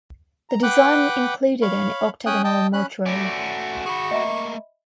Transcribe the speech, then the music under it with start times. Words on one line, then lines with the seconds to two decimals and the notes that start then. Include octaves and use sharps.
The design included an octagonal mortuary.
0.50 A#5
0.63 B4 F#5 G5 D6 F#6
1.62 C#5 F5 B5
2.26 C#4 G5 G#5 D#6 F#6
2.44 D#5 G5 A5
2.73 C#4 B5 F#6
3.06 A3 C#4 F#4 D5
3.86 G#4 B5 C#6
4.11 A3 A#3 D#5 E5 B5